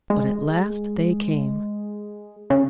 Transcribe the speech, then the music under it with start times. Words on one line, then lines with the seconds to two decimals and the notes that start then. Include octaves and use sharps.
But at last they came.
0.10 G#3
2.50 C#3